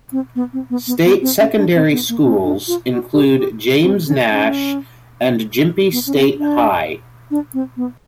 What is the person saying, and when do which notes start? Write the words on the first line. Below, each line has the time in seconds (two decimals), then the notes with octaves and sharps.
State secondary schools include James Nash and Gympie State High.
0.12 C4
0.35 B3
0.53 C4
0.70 B3
0.87 B3
1.05 B3
1.22 C4
1.40 C#4
1.58 D4
1.75 C4
1.92 B3
2.09 A#3
2.26 C4
2.44 D4
2.68 F4
2.91 F#4
3.14 G4
3.36 G4
3.83 C4
4.07 C#4
4.29 C#4
5.92 B3
6.06 C#4
6.15 C4
6.38 D4
7.31 D4
7.54 C4
7.77 B3